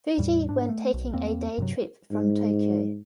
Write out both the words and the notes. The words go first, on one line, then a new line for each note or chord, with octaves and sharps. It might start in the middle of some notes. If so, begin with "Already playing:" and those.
Fuji when taking a day trip from Tokyo.
E2 A2 G3
G#2 D4
A3
B1
E2 A#3 C4
G2 C3 F#3
G#2